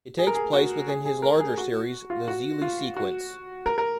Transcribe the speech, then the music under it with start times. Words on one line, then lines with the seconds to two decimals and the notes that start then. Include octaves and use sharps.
It takes place within his larger series, the "Xeelee Sequence".
0.18 G#4
0.27 A#4
0.35 G#4
0.53 F#4
0.88 G#4
1.05 G#4
1.22 A#4
1.40 G#4
1.58 F#4
2.10 F4
2.28 F#4
2.62 F4
2.96 F#4
3.66 A#4
3.78 A#4